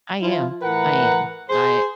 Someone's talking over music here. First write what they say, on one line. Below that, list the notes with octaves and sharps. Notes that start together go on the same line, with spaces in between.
I am. I am. I uh,
F3 E4 F4
A2 E3 A#4 B4 F#5 A#5
G#4 C5